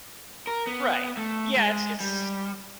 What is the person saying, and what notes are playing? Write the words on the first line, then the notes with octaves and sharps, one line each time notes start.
Right. Yeah, it's it's
A#4
B3
A3
G#3
G3